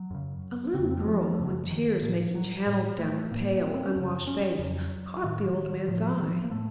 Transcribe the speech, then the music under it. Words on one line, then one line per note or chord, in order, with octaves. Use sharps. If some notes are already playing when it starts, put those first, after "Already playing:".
A little girl, with tears making channels down her pale, unwashed face, caught the old man's eye.
Already playing: F#3
F#2 C#3
C#3 C4
F2 A#3
C4
A3
F3
A#3
A3
F#2 C#3
F#3
F3
D#3
A2 F3
F#3
A2
A3
A2 A#3
C4
C4
C#4
F#2 C#3
C#4
F2 C#3 F#3
A2 D#3
A2 F3
D#3
F3
A#3
A2 A3